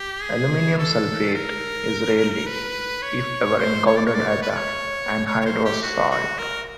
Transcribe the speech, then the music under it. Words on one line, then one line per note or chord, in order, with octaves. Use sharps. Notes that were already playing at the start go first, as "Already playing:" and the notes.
Aluminium sulfate is rarely, if ever, encountered as the anhydrous salt.
Already playing: G4
G#4
A4
A#4
B4
C#5
C5
C#5
D5
C#5
D5
C#5
B4
D5
C#5
C#5
C#5
C5
G4
F#4
F#4
A#4